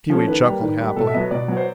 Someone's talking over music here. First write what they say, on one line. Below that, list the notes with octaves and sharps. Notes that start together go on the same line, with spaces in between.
Pewee chuckled happily.
F3 A3 C#4
D#3 B4
G3 A#3
D#3
G3 A#3
B2 A4
E5
F#3 B3 D#5
B2 D5
F#3 B3
C5